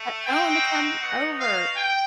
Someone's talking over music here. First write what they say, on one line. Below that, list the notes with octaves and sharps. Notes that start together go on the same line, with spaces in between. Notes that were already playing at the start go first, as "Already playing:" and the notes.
that te tell 'em to come over."
Already playing: A3
C4 D#4 F#4 G5
B3 D#4 F#4 F#5
F5
G5